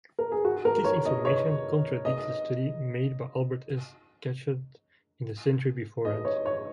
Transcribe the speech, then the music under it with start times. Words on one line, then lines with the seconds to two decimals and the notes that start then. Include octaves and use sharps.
This information contradicts the study made by Albert S. Gatschet in the century beforehand.
0.19 A#4
0.32 G#4
0.45 F#4
0.65 A#4
0.84 C#5
1.05 D#5
1.25 C#5
2.05 D#5
6.05 D#5
6.25 C#5
6.46 C#5